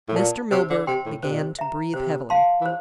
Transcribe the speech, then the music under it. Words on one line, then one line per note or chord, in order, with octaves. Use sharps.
Mr. Milburgh began to breathe heavily.
A2
A#2 D5 A5
C3 C5
D3
C3 G5 C6
A2
C3 C5
A#2
C3
E5 A#5
C3 C5
F5 A5 C6
E3
C5